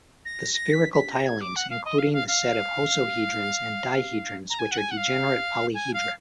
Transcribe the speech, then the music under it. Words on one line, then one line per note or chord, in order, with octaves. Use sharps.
The spherical tilings including the set of hosohedrons and dihedrons which are degenerate polyhedra.
A#6
A#6
B6
B6
A#6
G#6
D6
F#5
F5
D#5
F5
F5
F5
A#5
G#5
F#5
G#5
F#5
F5
G#5
F5